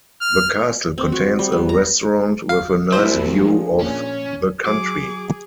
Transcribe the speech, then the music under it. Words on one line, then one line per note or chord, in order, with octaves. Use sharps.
The castle contains a restaurant with a nice view of the country.
F6
C4
F#4
G3
B3
A#5
F5
C2 A2 F#3 E4 C5
F3 A#3 D4 G#4
A#2 C#4
F#3 F#4 G#4 D6